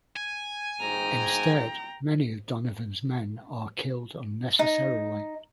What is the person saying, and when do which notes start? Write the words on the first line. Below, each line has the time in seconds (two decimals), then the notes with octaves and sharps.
Instead, many of Donovan's men are killed unnecessarily.
0.17 G#5
0.81 G#2 G5 A#5
4.59 D#4